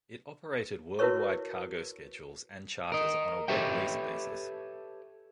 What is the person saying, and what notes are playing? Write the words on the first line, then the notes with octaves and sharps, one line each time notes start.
It operated worldwide cargo schedules and charters on a wet-lease basis.
E4 F#4 A#4 B4 C#5 C#6
A#4 D#5
G4 A4 B4 C#5 E5 G5